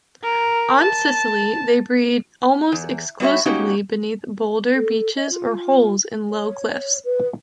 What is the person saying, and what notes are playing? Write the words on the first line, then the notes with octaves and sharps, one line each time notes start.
On Scilly, they breed almost exclusively beneath boulder beaches or holes in low cliffs.
A#4
A5
E2
G3 B3 F#4 C#5 E5
A#3 C#4 D#4 F#4 G4
A4
D#5
F4
C#5
B4